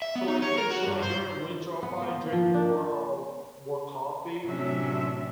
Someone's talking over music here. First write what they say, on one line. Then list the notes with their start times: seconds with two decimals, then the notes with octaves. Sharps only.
but, like, if it's still, like, during winter, I'll probably drink more, um, more coffee
0.02 E5
0.16 B3
0.28 D#4
0.42 C#5
0.58 A#4
0.71 F#4
0.87 G2
1.02 C5
1.83 B3
2.02 A#3
2.32 F3
2.54 D4
4.44 A2 C3 F#3 C#4 D4 E5